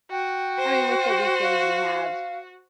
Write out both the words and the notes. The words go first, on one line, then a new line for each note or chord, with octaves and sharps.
I mean, with the weekdays we have
F#4 G5
C5
F5